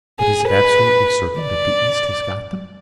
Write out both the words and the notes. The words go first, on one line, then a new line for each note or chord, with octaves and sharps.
"But is it absolutely certain that the East has got them?"
G#4
B4
D5